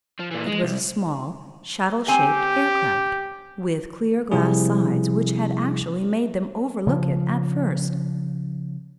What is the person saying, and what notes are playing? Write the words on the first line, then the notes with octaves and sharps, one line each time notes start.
It was a small, shuttle-shaped air-craft, with clear glass sides which had actually made them overlook it at first.
F3
A#2 E3
G#3
C2
C4 G4 G#5
C3 F3 G3 C4 E4 G#4
C#3 F3